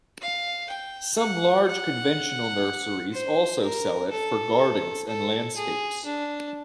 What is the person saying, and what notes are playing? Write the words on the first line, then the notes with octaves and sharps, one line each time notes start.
Some large conventional nurseries also sell it for gardens and landscapes.
F5
G5
F#5
F#5
C5
A#4
A4
A4
G#4
D4